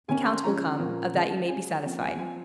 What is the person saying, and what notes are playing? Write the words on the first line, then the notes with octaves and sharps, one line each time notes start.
"The count will come, of that you may be satisfied."
C3 D#3 A#3 C#4 G#5
C6
C#3 F3 G#3 C#4 A#5
A#2 F3 A#3 C#4
D#3 G#3 C#4
C#3 G#3 C#4 G#5
C3 F3 A#3 C#4
G#5
F3 C4 G#5